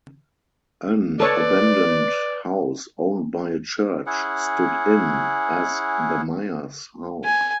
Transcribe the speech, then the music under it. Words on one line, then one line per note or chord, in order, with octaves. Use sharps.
An abandoned house owned by a church stood in as the Myers house.
A4 B4 C#5 D5
C#4 E4 G#4 F#5
G#5